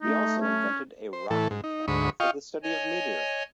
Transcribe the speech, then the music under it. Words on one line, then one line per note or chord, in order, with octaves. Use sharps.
He also invented a rocking camera for the study of meteors.
A3 D#4
C#4
C5
A2 E3 A4
G#2
D#4
D2 G#2 B5 C#6 D#6
F4 D#5 F5 G5 C#6
C#5 D#5 G#5